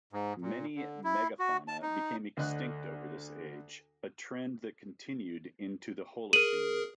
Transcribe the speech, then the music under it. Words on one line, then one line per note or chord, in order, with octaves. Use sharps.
Many megafauna became extinct over this age, a trend that continued into the Holocene.
G#2
A#2
D3
E4
F#4
A5
D#4
D2 D3 D#5 F#6
G#4 A#4 D#7 F#7